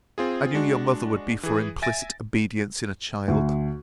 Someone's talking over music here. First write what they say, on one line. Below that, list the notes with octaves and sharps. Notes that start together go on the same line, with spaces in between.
I knew your mother would be for implicit obedience in a child.
C4 F4 G#4
G#3 D4 F#4
E3 G#4
E5 G#5 A6 A#6 D7
D2